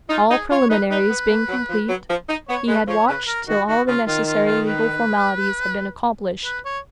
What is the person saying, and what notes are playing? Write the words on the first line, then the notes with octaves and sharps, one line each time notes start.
All preliminaries being complete, he had watched till all the necessary legal formalities had been accomplished.
D#4 F4
D#4 G#4
F4 C#5
D#4 B4
D#4 B4
B3
A#3
F#3
F3
F#3
F3
D#4
B3 C#5
G#3 B4
F3 C#5
C#3 B4
A#4
D#3 F#4
D#3 F#4
C#3 F4
D#3 F4
F4
F4
B4
B4
C#5